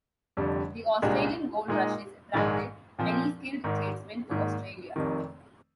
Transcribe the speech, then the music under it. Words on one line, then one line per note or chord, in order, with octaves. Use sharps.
The Australian gold rushes attracted many skilled tradesmen to Australia.
F1 F2 D3 G3
C2 A#2 G#3 D4 G4
A#2 G#3 D#4
A#1 G#2 D#3 G#3
A#2 F3 C4
G#1 G#2 D#3
G#1 G#2 D#3 A#3
F1 F2 C3 D#3